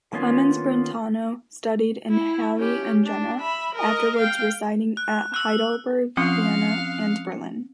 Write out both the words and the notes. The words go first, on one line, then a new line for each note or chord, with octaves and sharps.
Clemens Brentano studied in Halle and Jena, afterwards residing at Heidelberg, Vienna and Berlin.
D#3 A#3 B3 C#4 F4
E4
C#4 G4
D4
E5 B5
A#4 D#5
F5 G5
F#6
E6 F#6
F3 C4 C#4 F5 F#5 C6 D#6